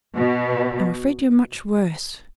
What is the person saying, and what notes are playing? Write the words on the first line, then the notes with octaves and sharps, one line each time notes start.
'I'm afraid you're much worse.
B2